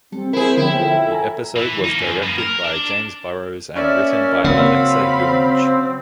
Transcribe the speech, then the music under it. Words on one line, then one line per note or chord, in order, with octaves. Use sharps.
The episode was directed by James Burrows and written by Alexa Junge.
G3 C4 A4
C4 E4 G#4 A#4 C5
D3 F3 B3 C#4 E4 A#4 G5
F4 A4 E5
G#5 A#5
E3
A#3 D#4
F#2
A#3 B3
A#4
D4
A#3 C#4 D5 E5
C#3 F#3 A#3 C4 F5 B5